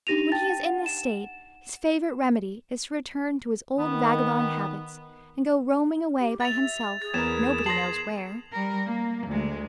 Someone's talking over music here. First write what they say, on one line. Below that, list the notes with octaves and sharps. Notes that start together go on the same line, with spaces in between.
When he is in this state, his favorite remedy is to return to his old vagabond habits, and go roaming away by himself nobody knows where.
D4 D#4 G4 A#6 D#7 F7
G5 A5 A6
F#5
E7
D#3 B3
G4
E5 A6 F7
G#4 A6
E2 B3 A#4 G#6 E7
A5 C6 A#6 C7 F#7
G3 A#4
A#3
D2 G#3